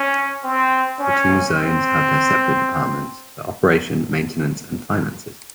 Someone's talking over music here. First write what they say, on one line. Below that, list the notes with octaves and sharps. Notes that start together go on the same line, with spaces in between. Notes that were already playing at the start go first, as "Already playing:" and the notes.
The two zones have their separate departments for operation, maintenance, and finances.
Already playing: C#4
C4
C#4
C4